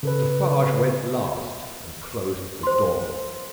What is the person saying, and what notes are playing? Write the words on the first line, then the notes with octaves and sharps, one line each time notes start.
Defarge went last, and closed the door.
C#3 A4 B4
C5 C6